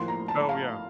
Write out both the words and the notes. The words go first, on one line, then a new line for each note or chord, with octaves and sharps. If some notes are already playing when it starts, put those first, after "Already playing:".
Oh, yeah.
Already playing: A2 F3 A#3 C6
A#5
A5
F5